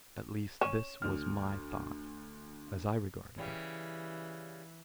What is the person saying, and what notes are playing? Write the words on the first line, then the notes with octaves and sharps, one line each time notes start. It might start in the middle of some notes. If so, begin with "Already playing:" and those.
At least this was my thought as I regarded it.
C#4 E7
D2 F6
C#3 E3 G3